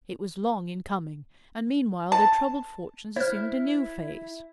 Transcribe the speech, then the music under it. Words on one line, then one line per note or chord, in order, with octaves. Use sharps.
It was long in coming, and meanwhile their troubled fortunes assumed a new phase.
A5
E4 C5 F6